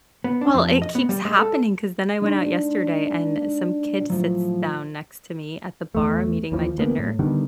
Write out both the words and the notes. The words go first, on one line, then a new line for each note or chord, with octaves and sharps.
well, it keeps happening 'cause then I went out yesterday, and some kid sits down next to me at the bar, I'm eating my dinner,
B3
D4
F2
D#5
B3
G3
G#3
A4
G#3 D4 D#4 C6
A2 F3 F#3
E2 A3
D#2 E3 F3
D2 A#3 B3
A2
D3 D#3 G3 B3